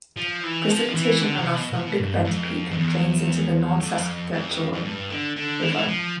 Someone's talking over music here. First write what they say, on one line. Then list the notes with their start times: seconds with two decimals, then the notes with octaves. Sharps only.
Precipitation runoff from Big Bend Peak drains into the North Saskatchewan River.
0.16 F3
0.43 E3
0.69 F3
0.94 E3
1.21 D3
1.39 C3
1.55 B2
1.72 B2
1.99 G2
2.25 F2
2.71 F2
2.77 E2
3.80 F2
4.33 F2
4.72 F2
4.84 G2
5.10 D3
5.37 D3
5.62 E3
5.70 D3
5.78 E3
5.88 F3